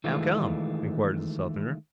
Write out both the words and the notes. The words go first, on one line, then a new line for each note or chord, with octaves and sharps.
"How come?" inquired the Southerner.
D#3 E3 G#3 A3 F4